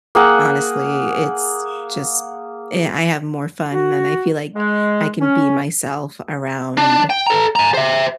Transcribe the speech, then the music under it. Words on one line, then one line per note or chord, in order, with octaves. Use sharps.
honestly, it's just i I have more fun than I feel like I can be myself around,
A#3 G#4 F#5
F#4
G#3
C#4
D4
G5
A4 A#5
G#5 A#5
C5 E5